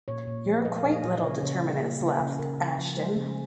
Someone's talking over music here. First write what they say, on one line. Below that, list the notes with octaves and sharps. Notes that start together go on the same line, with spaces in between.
"You're a quaint little determinist," laughed Ashton.
A#2 C#5
A#2
F3
A#3 D#5
F5
A#2
D#5
A#2
D#5
C#3 C#5
C#3
G3
A#3
C#3
C#3
C#3 A#4
C#3
F3
G#3 C5
C#3
G#4